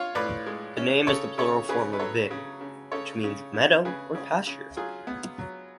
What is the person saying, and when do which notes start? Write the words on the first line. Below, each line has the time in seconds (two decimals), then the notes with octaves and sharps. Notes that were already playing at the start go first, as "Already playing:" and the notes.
The name is the plural form of "vin" which means "meadow" or "pasture".
Already playing: F4 C#5 F5
0.15 A2 B4 D5
0.46 G#3
0.77 C#4
1.07 C#3 A4 C#5
1.38 C#3 A4 C#5
1.69 C#3 G#4 B4
1.93 B4
1.99 F#3 A4 C#5
2.31 C#3
2.61 C#3
2.92 C#3 A4 C#5
3.23 C#3
3.54 C#3
3.85 C#3 G#4 B4
4.15 C#3
4.47 C#3
4.77 F#3 F4 G#4
5.07 B3
5.39 F#3